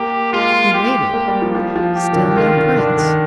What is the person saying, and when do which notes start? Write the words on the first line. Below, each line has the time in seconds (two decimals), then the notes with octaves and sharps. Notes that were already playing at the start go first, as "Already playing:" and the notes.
He waited; still no prince.
Already playing: A#3 G4
0.33 G#3 F4
0.74 G4
1.14 A#3
1.28 G3
1.42 F3
1.55 F3
1.76 F3
1.96 G4
2.13 D#3
2.16 D3
2.36 D#3 F4
2.57 D3
2.77 D3 D4
2.98 D#3